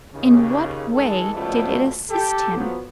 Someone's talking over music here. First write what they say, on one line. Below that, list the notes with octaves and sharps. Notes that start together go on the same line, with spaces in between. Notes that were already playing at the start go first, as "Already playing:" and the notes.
In what way did it assist him?
D#2 C#3
D#3 E3 G#3 A4
C#2 B2 F3 G3 A3
G4 A4
F3 F#3 B3